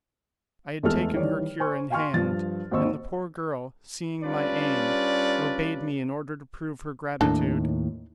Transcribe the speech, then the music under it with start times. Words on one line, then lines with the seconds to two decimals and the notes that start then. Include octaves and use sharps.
I had taken her cure in hand, and the poor girl, seeing my aim, obeyed me in order to prove her gratitude.
0.83 E2 G#3 A3 G#4 A4 F6
1.13 D#3 E3 G3 C#5 D5
1.59 C5 G#5 C#6
1.90 F5 G5 G#5 C6 C#6 F6
2.14 G2 F3 A6
2.71 G#1 D#2 D#5 C#6 E6
4.24 G3 C#4 D4 F4 B4 D5
7.21 D#2 A2 D4 D#4 A4